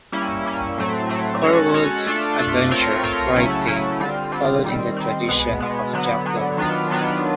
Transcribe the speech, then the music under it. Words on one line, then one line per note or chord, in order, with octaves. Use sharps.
Curwood's adventure writing followed in the tradition of Jack London.
G3 A#3 C#4 E4
G3 A#3 C#4 E4
A2 F#3 A3 C4
A2 F#3 A3 C4
G#3 C#4 F#4 A4 C#5
G#3 C#4 F#4 A4 C#5
A3 D4 F4 A4
A3 D4 F4 A4
A3 C4 F4 A#4 C#5
A3 C4 F4 A#4 C#5
C#3 F#3 A3 C#4 E4
C#3 F#3 A3 C#4 E4
D3 G3 C4 F4
D3 G3 C4 F4
D#3 G3 C4
D#3 G3 C4
B2 G#3 B3
B2 G#3 B3
D3 F#3 B3
D3 F#3 B3
D#3 F#3 B3 D4 F4
D#3 F#3 B3 D4 F4